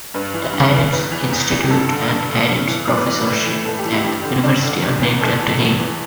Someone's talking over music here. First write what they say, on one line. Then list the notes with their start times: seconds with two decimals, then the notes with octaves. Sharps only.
The Adams Institute and Adams Professorship at the university are named after him.
0.14 G2 B4
0.34 E3
0.53 G2
0.73 E3
0.92 E2 B4
1.12 E3
1.32 E2
1.51 E3
1.63 G4
1.70 G2 A4
1.90 D3
2.09 G2
2.29 D3
2.49 G2
2.68 E3
2.88 G2 D5
2.97 B4
3.07 E3 D5
3.27 A2 B4
3.46 E3
3.65 A2 A4
3.79 G4
3.85 E3
3.92 E4
4.04 G2 G4
4.24 D3
4.43 G2 D4
4.63 D3
4.82 E2
5.02 E3
5.21 E2 A4
5.41 E3
5.60 E2
5.80 E3